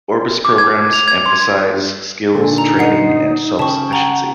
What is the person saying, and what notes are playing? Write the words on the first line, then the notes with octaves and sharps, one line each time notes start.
Orbis' programs emphasise skills, training and self-sufficiency.
D6
G#6
F7
G#6
C6
A#2 D3 A4
D#4 A#5
D#5 F#5 C7
C#3 G5 A5 C#6
F#5 A#5